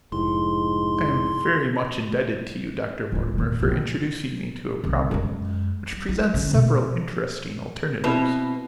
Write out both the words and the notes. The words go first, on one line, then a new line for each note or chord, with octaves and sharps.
I am very much indebted to you, Dr. Mortimer, for introducing me to a problem which presents several interesting alternatives.
F1 G#2 E4 C6
D1 F4
D#2 A#2
A#1 B2
C2 D#3
F#2 G#3
G3
E4
D3 C#4
B2
B2 C4 E4 B4